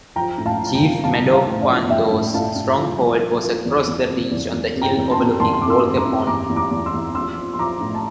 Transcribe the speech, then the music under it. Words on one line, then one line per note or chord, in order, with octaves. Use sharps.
Chief Madockawando's stronghold was across the reach on the hill overlooking Walker Pond.
F3 G5 A#5
A2
F5 A5
F3
A5
G5 A#5
F3
F3 F5 A5
F3
F5 A5
A2
D5 F5
F3
F3 E5 G5
A2
A2 F5 A5
A2
F3
F3
F3
F3
E2
E2
C3
E2
E2
C3
G5 A#5
E2
A5 C6
C3
E2 A5 C6
C6
C3 D6
C6 E6
E2
A#5 D6
C3
E2 A#5 D6
E2
A#5 D6
E2
C6 E6
E2
F3 C6 E6
F3
C6
F3 A#5 D6
A2
A5